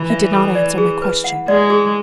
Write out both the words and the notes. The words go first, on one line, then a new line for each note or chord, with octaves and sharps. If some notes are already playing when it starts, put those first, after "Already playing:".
"He did not answer my question."
Already playing: E3
E5
A4
D5
G#4
B4
F#5
G#3 D5
G#4